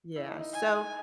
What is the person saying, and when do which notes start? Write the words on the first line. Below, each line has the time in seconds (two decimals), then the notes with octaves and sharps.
Yeah, so,
0.16 E4
0.28 D#4
0.41 D#4
0.54 G#5